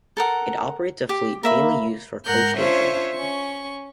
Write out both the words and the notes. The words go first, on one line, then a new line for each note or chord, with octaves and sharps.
It operates a fleet mainly used for coach day-trips.
A4 A#4 F#5
G4
A#3 A#4 E5 B5
G#2 A#4 F#5 F6 G6
C#4 D4 F4 C5 C#5 E5
C#4 C#6